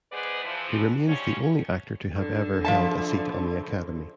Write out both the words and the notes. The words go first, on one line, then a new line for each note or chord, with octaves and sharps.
He remains the only actor to have ever held a seat on the Academy.
G#3 B3 G#4 B4 C5 D5
E3 F3
G#2 F3 G3 C#4 C#5
D3
F3 E5 A5